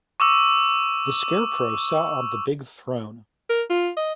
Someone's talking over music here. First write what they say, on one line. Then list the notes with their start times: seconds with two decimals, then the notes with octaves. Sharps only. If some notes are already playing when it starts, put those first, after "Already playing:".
The Scarecrow sat on the big throne.
0.20 C#6 D6 E6
3.50 A#4
3.70 F4
3.97 D#5